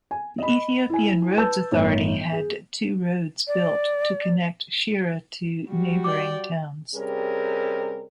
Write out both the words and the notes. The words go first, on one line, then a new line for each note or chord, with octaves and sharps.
The Ethiopian Roads Authority had two roads built to connect Shire to neighboring towns.
G#5
D#5 B5
E4 G#5
B4 A5 E6 G6
G1 A2 D#4 C#5
G#4
D5
G3 F#4
D5 G5 D6
C3 G3 C#4 G#4 A#4